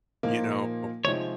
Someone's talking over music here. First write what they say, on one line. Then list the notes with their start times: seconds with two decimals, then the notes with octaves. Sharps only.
you know?
0.23 A#2 F3 A#3 D#4
1.05 C3 F3 G#3 C4 D#4 C#5